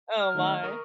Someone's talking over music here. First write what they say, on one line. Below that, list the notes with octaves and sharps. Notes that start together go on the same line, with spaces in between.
Oh my.
F6
D#3 A3 D#4
A#4 C#6 D#6